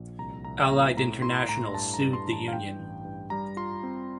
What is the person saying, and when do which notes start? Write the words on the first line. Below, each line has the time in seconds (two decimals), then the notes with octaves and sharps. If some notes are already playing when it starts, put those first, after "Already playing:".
Allied International sued the union.
Already playing: A#1
0.18 C2 A#5
0.44 C2 A#5
0.71 A#2 A#5
0.97 A2 A#5
1.22 E4 C6
1.49 A2 A#5
1.74 G2 A5
1.94 A#5
2.00 G2
2.13 C6
2.27 E3
2.33 A5
2.48 F5
2.53 G2 G5
2.79 A1
3.05 G2
3.30 G3 A#5
3.57 F4 C6
3.83 C4